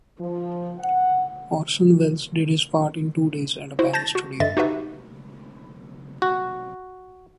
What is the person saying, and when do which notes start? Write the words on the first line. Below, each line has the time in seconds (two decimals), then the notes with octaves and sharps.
Orson Welles did his part in two days at a Paris studio.
0.19 F3
0.78 F#5
3.79 E4 F#4 C5
3.93 A5 G6 A6 A#6
4.15 F#4
4.40 G2 D3 D#5 E5 A6
4.57 D#4 F#4 G4 B4 E5
6.22 F#4